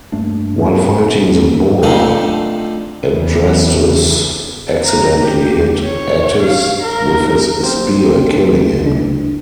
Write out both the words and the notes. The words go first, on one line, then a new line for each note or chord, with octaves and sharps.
While fighting the boar, Adrastus accidentally hit Atys with his spear, killing him.
G2 A3 A#3 D4
D3 F3 A3 C4 D#4
E2
A#5
G4
C#5
F5
A#4
F#1 C4 G4
D4